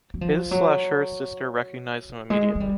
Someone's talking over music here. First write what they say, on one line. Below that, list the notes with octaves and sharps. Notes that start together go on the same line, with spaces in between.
His/ her sister recognized them immediately.
F#3
F3
F#3
G#3
G#3
G3